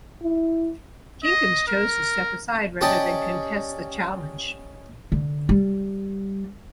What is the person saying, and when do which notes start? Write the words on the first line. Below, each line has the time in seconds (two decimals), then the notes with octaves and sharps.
Jenkins chose to step aside rather than contest the challenge.
0.23 E4
1.24 D#5
1.67 A#4
2.81 C#4 G4 D5 D#5 A5
5.12 D3
5.49 G3